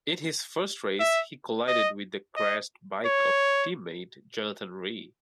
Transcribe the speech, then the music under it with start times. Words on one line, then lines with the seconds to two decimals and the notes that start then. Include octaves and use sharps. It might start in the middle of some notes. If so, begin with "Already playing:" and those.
In his first race he collided with the crashed bike of team-mate Jonathan Rea.
1.00 E5
1.68 D#5
2.36 D#5
3.05 C#5